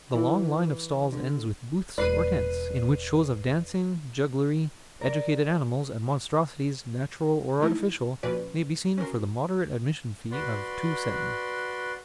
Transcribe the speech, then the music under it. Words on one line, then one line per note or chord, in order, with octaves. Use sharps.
The long line of stalls ends with booths, or tents, in which shows of dancing, jugglery, educated animals, and monstrosities, natural or artificial, may be seen for the moderate admission fee of two sen.
E3
D3
E1 B4 D5 C7 D#7
A#4 D5
D#3 G#3 A3 D#4 E4
A#2 F3 C#4 F#4 B4 D5
C#4 F#4 A#4 C6
F#4 B4 D5 C6